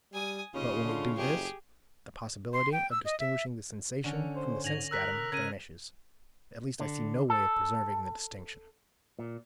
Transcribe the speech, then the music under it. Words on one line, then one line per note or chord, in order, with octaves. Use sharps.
But when we do this, the possibility of distinguishing the sensation from the sense-datum vanishes; at least I see no way of preserving the distinction.
G3 G#5 D#6
D#2 C#3 C#4 F4 D#5
D3
F#1 G4 G#4
C6
G5
E6
D#5
E5
D3 C#4
C5
G#2 G#5 A#6 F7 F#7
A#4 E6 F#6 B6
C#3 A#4 G#6 A#6 D#7
D3
A4
A#2